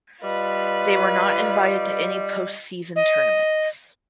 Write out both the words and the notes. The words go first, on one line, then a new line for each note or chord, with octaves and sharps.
They were not invited to any post season tournaments.
G3 F4 B4 D#5
D#5